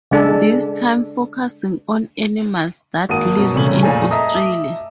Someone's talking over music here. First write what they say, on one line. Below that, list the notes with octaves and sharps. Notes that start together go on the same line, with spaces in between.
This time focusing on animals that live in Australia.
C#3 G#3 D4 A4
G#1 A#3 F#4 A5 D#6 D#7
F#2 B2
E1 G2 C3 A3 C#4 F#7
F2 A#2 A3 A4 G#5
D#5 E5 A5 A#5 D#6
E5 D6